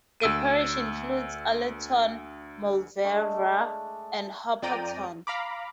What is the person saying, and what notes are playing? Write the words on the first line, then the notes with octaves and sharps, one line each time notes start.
The parish includes Allerton Mauleverer and Hopperton.
D2 E6 D7 D#7
G#3 A3 D4
F2 D5 G5 A#5 D#7
F5 A#5 B5 D6